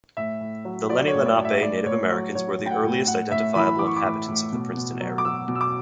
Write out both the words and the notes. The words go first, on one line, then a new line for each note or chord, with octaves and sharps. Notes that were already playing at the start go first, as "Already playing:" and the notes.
The Lenni Lenape Native Americans were the earliest identifiable inhabitants of the Princeton area.
A2 E5
A2
F#3
F#3 D5
C#5
A2
D5
A2
E5
A2 D5
A2 C#5
F#3 C#5
F#3 C#5
A2
G5
F#5
A2
A2 F#5
A2 E5
E3 B5
E3 D6
C#6
D6
A2
A2
B2
B2
F#3
D6
F#3 E6
B2
E6
D6